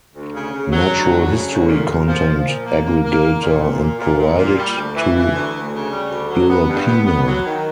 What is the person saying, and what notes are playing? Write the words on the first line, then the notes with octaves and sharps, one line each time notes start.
Natural History content aggregator and provided to Europeana.
D2
C#3
C#3
F#3
D2
F#3
C#3
D2
A#2
A#2
F3
F3
A#2
A#3
A#3
A#3
A#2
A#2
A#2
A#2
A#2
A#2
A#2
G3
D2
E3
E3
D2
D2
C#3
G3
D2
F#3
B3
G2
B3
B3
F#3
D#3